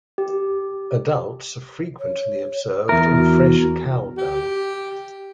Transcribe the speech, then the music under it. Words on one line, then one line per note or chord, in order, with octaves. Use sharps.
Adults are frequently observed in fresh cow dung.
G4
C#5
E2 A#4 E5
F#4
G4